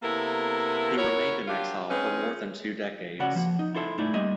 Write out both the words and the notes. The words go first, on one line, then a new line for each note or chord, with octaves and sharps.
He remained in exile for more than two decades.
C3 A#3 B3 E4 A4 A#4
E4 F#4 A#4 C#5
F#3 D4 F4 G4
G#3 C4 C#4 D#4 B4
C#3 C#4 F#4 D5 F#5 B5
F3 A#3
D#4
E4 F4 A4 C5 E5
G#2 A3 D#4 E4 D5
G3 A#3 D#5 E5